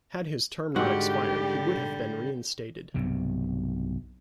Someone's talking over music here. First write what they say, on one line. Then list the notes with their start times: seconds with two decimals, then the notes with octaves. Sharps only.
Had his term not expired, he would have been reinstated.
0.76 G#2 D3 G3 F#4 G4 F#5
2.94 B1 G2 C3